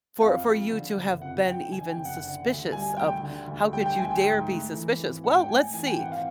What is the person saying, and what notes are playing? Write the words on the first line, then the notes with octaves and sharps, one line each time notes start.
for for you to have been even suspicious of "How could you dare be suspicious?" "Well, let's see,
F2 F5
F3
D3
F#1
F2 F#5
F3 G5
D3 G#5
G5
F#1
F#5
D3
D2
G3 G#5
D2 G5
D3
D2
G3 G5
G5
D2 G#5
G5
G#2
A3
E3
G#1
G#2 F#5
G5
A3 G#5
E3 G#5
G5
G#1 F#5
F5